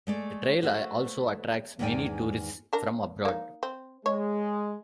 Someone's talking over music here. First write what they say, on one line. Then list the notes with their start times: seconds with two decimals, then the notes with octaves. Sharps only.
The trail also attracts many tourists from abroad.
0.07 G#3 A3 D5
0.63 A3 F#4 C5
1.79 E2 G#2 D#3 D5 G5 G#5
2.73 D4 A#4
3.25 A#3 D#4
3.63 C4
4.06 G#3 C#5